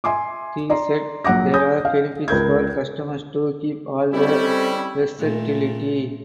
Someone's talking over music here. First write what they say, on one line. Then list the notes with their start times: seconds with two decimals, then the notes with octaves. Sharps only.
He said there are benefits for customers to keep all the versatility.
0.04 E5 G#5 C6 D6
0.70 D5 A#5 C6
1.24 A#1 F#3 F#5 D6 A#6
1.53 G#5 D#6 G6 A#6
1.85 F5
2.28 C#2 A#4 G6 G#6
4.13 G3 C4 C#4 E4 G4 A4 D#5
5.18 A#2 A3